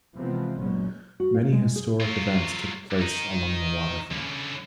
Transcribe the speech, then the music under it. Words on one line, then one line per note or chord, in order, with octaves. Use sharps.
Many historic events took place along the waterfront.
C3 E3 F3 G#3 B3 C4
F#1 A#2 F#3 G#3 C#4
F#4
F5
G#3
G#4
F#3 F4
D#3 D#4
C#2 D3